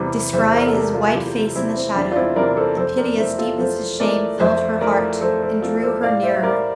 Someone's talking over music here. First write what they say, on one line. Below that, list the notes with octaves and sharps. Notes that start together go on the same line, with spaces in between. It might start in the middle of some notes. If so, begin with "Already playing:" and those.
Descrying his white face in the shadow, a pity as deep as his shame filled her heart and drew her nearer.
Already playing: E2 C3 E3 G3
E2 C5 E5
A#4 D5
A4
C3 E3 G3 G4 A#4
F4 A4
E2 E4 G4
C3 E3 G3 C4 E4
C4
E2 D4
F4
C4 E4
C3 E3 G3 A#4 D5
A4 C5
F2 A4 C5
A#4 D5
E3 A3 C5 E5
F4 A4
F2 A4 C5
E3 A3 A#4 D5
F2 C5 E5
E3 A3 A#4 D5
F2 A4 C5
A4 C5
E3 A3 F4 A4
A4 C5
A2 D5 F5
C5 E5
G3 A#4 D5